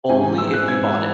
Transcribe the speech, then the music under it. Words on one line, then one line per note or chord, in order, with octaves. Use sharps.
Only if you bought it.
G#2 G#5
G#5
E3 G#3 B3 E6
F#6
G#2 G#6
E3